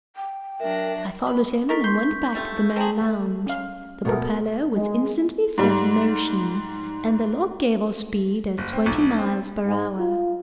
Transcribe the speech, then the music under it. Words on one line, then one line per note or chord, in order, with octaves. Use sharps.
I followed him and went back to the main lounge. The propeller was instantly set in motion, and the log gave our speed as twenty miles per hour.
G5
F#3 D4 A#4 E5 A#6
B5
D#4 A4 A#4 C#6 B6
C6 G6
G3 A3 F4
C4 G#4 A5 A#5 F#7
A3
C#4 F5
B2 A3 B3 A#4
G#3
G#2 G3
F#1
C4
B1
C4
G#2
F4